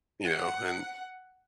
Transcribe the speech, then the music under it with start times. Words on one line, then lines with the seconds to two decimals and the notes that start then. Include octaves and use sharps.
you know, and
0.23 F#5